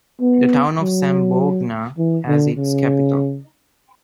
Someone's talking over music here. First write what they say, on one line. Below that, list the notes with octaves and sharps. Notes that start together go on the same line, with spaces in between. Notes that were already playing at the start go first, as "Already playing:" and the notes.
The town of Zamboanga as its capital.
B3
F#3
E3
D3
C#3